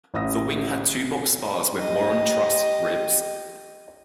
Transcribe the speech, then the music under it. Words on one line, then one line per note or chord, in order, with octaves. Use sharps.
The wing had two box spars with Warren truss ribs.
A1 E5 D#6 E6 A#6
G4 D#5